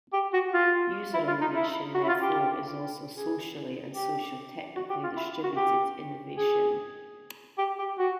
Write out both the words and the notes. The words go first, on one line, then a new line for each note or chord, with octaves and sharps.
User innovation, therefore, is also socially and socio-technically distributed innovation.
G4
F#4
F4
E4
F4
D#4
E4
F#4
E4
F4
G4
G#4
G4
F#4
G4
F4
E4
F#4
G4
G#4
G4
G4
F#4